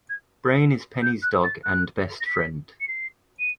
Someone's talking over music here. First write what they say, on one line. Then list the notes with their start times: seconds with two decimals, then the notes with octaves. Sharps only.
Brain is Penny's dog and best friend.
0.10 G#6
1.02 G6
1.22 F#6
1.44 A6
1.64 F#6
2.21 A#6
2.26 B6
2.81 C#7
2.88 C7
3.39 D#7